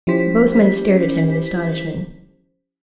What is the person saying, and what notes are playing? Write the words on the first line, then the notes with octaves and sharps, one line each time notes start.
Both men stared at him in astonishment.
F3 C#4 E4 G4 C5 B6